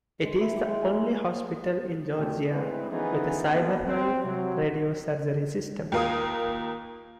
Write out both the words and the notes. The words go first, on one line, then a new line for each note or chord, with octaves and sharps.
It is the only hospital in Georgia with a Cyberknife radiosurgery system.
G#3
E4
G4
G#3
G#5
G#3
E2 B2 A3 C4 G4 A4
A2 G#3 C4 E4 B4
E3 F3 B3 C#4 D#4 G#4
D3 F#3 A#3 B3
C4
C3 F#3
D#2 F4 A#4 F5 D#6